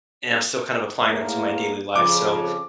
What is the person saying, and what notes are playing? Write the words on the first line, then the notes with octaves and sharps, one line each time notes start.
and I'm still kind of applying them to my daily life, so,
E2 A2 A#3
F2 C#3 F3 D6